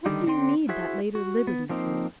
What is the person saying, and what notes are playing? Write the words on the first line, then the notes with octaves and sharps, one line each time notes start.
What do you need that later liberty for?
D3 D#3 G3 D#4
D3 C4 G5 C6
E4 F#4 G#4 C5 E5
F#4
B3
F3 A#3 C4 D#4